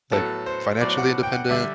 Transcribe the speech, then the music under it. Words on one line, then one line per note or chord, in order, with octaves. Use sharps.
like, financially independent.
A2 F#3 B3 A4
C5
A2 F#3 B3 D5
F#5
G5
F#5
D3 G3 D4 E5